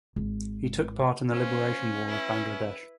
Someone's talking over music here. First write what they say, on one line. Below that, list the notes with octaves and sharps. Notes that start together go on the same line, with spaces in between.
He took part in the Liberation War of Bangladesh.
G#1
C#4 F4 C5
E4 B4